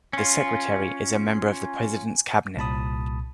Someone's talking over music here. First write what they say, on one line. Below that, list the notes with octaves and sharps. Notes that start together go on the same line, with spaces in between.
The Secretary is a member of the President's Cabinet.
C#4 F4
C2 A#2 A5 B5 D#6